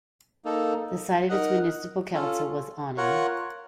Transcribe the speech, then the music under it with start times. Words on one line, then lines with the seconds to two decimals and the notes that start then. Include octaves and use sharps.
The site of its municipal council was Auning.
0.45 A#3 D#4 A4
1.29 D#4 A#4 D#5 F#5
2.13 C#4 F4 A4
2.97 F4 A#4 C#5 F#5